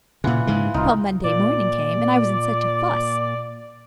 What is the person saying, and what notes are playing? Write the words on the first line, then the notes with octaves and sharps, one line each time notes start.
Well, Monday morning came, and I was in such a fuss!
A#2 C#3 E3 F4 F#5
G#2 C#3 G#3
C2 D#4 F4
A#2 D5